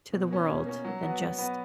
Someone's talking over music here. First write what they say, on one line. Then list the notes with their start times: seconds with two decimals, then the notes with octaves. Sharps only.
to the world than just
0.12 B2
0.31 A#3 C#4
0.48 B2
0.66 A#3 C#4
0.85 F#3
1.03 B3 F#4 B4
1.20 F#3
1.38 B3 F#4 B4